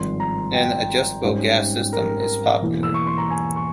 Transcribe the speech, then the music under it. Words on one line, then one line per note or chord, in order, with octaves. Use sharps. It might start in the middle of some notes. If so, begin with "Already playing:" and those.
An adjustable gas system is popular.
Already playing: G#1 G2 F3 G#3 C6
A#5
G5
G#2 G3 C#4
A#4
A#4
E1 E2 E3 A#3 E4
E6
C#6
C6
A#5
G#5
C#6